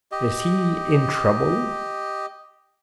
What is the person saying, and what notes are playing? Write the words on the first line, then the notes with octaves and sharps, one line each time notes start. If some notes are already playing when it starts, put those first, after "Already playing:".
Is he in trouble?
G4 D#5